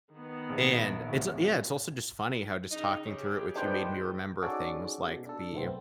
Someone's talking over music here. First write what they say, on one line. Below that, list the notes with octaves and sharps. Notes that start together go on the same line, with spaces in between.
And it's a yeah, it's also just funny how just talking through it with you made me remember things like the
D#3 B3
A#1
D1 A1
C#3 D#4
C#3 G4 G#4
A#2 D#3 B3 C4 D4 B4 C5 G5
C#4 D#4 F#4 G#4 A4 D5
B2
D4 A4
B1 A3 B3 C4